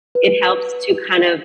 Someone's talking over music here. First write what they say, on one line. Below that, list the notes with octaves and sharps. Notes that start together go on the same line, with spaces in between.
it helps to kind of
B4